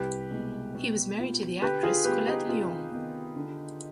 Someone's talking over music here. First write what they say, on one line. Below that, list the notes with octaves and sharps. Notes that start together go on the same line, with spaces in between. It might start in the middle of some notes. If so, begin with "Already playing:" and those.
He was married to the actress Collette Lyons.
Already playing: C2 G4 B4
B2 G#3 B3
B2
B3 F4
D3 G4 B4
F4 G#4
G3 B3 G4 B4
D#4 G4
C3 F4 G#4
D#3 B3
D3